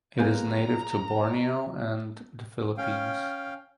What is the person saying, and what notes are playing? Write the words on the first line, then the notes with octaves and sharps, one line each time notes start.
It is native to Borneo and the Philippines.
G#3 A#3 B3 G#5 A#5 G6
C#4 F5 G5